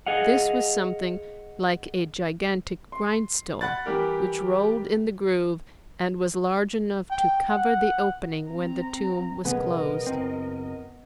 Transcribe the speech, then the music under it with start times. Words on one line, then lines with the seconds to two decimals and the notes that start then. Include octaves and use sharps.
This was something like a gigantic grindstone which rolled in the groove and was large enough to cover the opening when the tomb was closed.
0.06 G#4 D#5 F5 F#5
2.92 C6
3.61 F#5 B5 F#6 A6
3.86 E3 G3 G4 A#4
7.11 G5
7.49 F#5
8.47 C4 A#5
9.45 B1 C#3 B3 A#4 D#5
10.07 F#1 C4